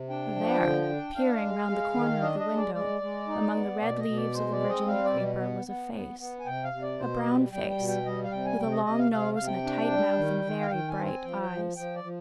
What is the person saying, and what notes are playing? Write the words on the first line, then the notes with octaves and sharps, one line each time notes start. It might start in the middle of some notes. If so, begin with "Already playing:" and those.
For there, peering round the corner of the window, among the red leaves of the Virginia creeper, was a face - a brown face, with a long nose and a tight mouth and very bright eyes.
Already playing: C3
D4 G5
F3
D3
D4
D4 F5
G#3
G#3
D#3
D4 D#5
D#5
G#3
D5
G#3 D5
G#3
D#4
B3
B2 D5
D#5
B2
D5
G#3 C5
D5
C4
D#5
G3 F5
D5
B2
B3
B3
B3
B3
G#5
C3 G5
F5
C3
D5
B2 C5
D#5
G3
G3 G5
G5
B2
G5
G3 D#5
F5
C3 G5
G#5
C3 G5
D#5
C3 D#5
F5
C3 F5
C3 F5
G5
D4
G3
D#3
D#3
F5
D#3 G5
G#5
C4
G#5
F3 G5
G5
F3
F3 G5
D5
F3